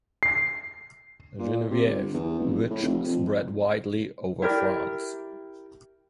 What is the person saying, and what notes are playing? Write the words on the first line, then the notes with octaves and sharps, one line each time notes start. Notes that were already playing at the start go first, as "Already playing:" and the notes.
Genevieve, which spread widely over France.
C7
A#2
C3
G1
E2
F1
A2
F1
F2
E4 G4 A#4 D5